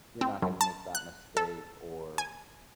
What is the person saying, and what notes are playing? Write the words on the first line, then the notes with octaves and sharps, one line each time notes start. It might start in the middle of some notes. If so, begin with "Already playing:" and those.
you're not gonna make that mistake or
C4
F#2
A5
F#6
A4
G#5